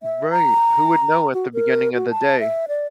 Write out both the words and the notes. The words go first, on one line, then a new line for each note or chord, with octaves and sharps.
Right. Who would know at the beginning of the day?
E5
A#5
F#4
A#4
F#4
A5
E5
D5